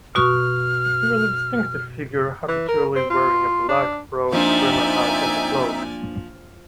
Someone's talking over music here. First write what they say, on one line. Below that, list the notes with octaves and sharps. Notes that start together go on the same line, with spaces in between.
He was a distinctive figure, habitually wearing a black broad-brimmed hat and a cloak.
B2 F#4 C#6 F6
E3
A#4
C4
F4
D4
F3 A#3 C4 D4 D#4 D5 E5 G#5